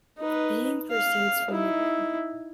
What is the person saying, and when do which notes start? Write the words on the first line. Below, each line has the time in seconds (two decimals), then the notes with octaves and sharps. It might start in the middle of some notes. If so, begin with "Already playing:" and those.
Being proceeds from the One.
0.18 D#4 B4
0.91 F5
1.50 D#4 E4